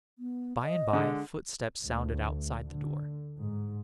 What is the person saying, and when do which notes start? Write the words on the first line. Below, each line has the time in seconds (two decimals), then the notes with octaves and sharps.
By and by footsteps sounded outside the door.
0.19 B3
0.63 D#5
0.93 D3 G#3
1.83 D2
2.65 D3
3.43 G#2